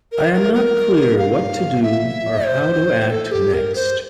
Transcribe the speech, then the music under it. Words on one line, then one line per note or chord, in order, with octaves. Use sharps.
I am not clear what to do or how to act next.
A#4
A#4
A#4
F5
E5
C5
A4
G4
A#4
C5